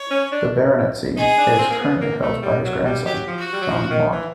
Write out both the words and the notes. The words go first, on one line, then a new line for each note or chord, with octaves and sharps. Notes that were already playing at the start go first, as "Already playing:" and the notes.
The baronetcy is currently held by his grandson, John Mott.
Already playing: C#5
C#4
D4
D#4 G#4
D4
C4
A#3
B3
A#3
A3
G3
F#3
G3
F#3 G4
F3
F#4
G3
F#3
F3
D#3
E3